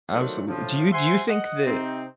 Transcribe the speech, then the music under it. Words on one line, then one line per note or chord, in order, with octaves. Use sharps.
Absolutely. Do you do you think that
D3 D#3 F#3 A3 D4 C5
A2 D3 F3
C5 E5 F#5 G#5 C6
D#5 F#5
C3 C4 D#4